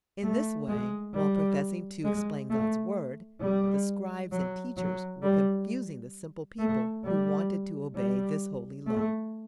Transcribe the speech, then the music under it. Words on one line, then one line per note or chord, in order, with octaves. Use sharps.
In this way, while professing to explain God's Word, the scribes and teachers were confusing the simple people who wanted to obey this Holy Law.
A3
G#3
G3
G#3
A3
G3
F#3
F#3
G3
A3
G3
G3
A3